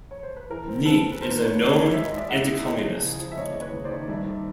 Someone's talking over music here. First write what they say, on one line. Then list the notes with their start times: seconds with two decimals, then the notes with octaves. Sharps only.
Ni is a known anti-communist.
0.11 C#5
0.23 C5
0.36 B4
0.50 E3 A#4
0.68 C4
0.85 C4 A4 B4
1.04 C4
1.12 B4
1.21 D#3 A#4 C5
1.32 B4
1.39 D#3 C5
1.45 B4 C#5
1.57 F#3
1.69 C#5 D#5
1.76 D#2
1.93 G#3 E5
2.05 D#5
2.12 G#3
2.17 D5 E5
2.29 A2 E5 F#5
2.47 A2
2.65 E2 C#5 D#5
2.83 F3
3.01 C#3
3.19 F3
3.32 E5
3.37 F#1 C#5 D#5
3.50 F#1 D5
3.60 B4 C#5
3.73 F#1
3.84 C5 D5
3.91 D#3
4.08 G2 D5 E5
4.26 D#3